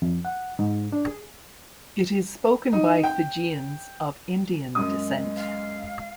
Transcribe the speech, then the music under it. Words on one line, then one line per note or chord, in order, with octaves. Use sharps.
It is spoken by Fijians of Indian descent.
F2
F#5
G#2
D4
G#4
D#4
G5
F#2 G#3 D#6
F5